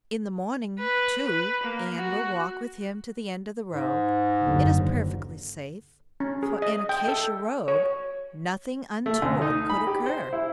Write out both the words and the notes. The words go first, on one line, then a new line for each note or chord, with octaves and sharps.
In the morning, too, Anne will walk with him to the end of the road; it is perfectly safe, for in Acacia Road nothing untoward could occur.
B4
B4
A#3
F#4
G#2
F#1 D#2 D3
C#4
G#4
D#5
G5
A4
C#5
A3
D2
D#4
B5
G4
C5
E4